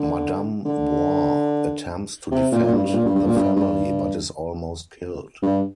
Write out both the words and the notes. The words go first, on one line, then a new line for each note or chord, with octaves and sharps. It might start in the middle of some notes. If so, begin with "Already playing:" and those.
Madame Wah attempts to defend the family, but is almost killed.
Already playing: D3
D3
C3
A#2
A#2
G2
G2
A#2
G2
G2
A#2
G2
G2
G2